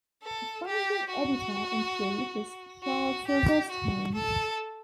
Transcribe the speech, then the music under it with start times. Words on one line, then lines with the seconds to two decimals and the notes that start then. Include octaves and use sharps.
The founding editor-in-chief was Charles Silverstein.
0.23 A4
0.67 G4
1.10 F#4
2.83 F#4
3.28 G4
3.71 F#4
4.15 A4